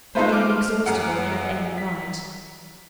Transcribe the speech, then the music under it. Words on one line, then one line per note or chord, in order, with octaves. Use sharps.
Can the inexhaustible have any right?
G#3 A3 D#4 F4 B4 C5
D6 F6
F#2 G#4 F#5
B6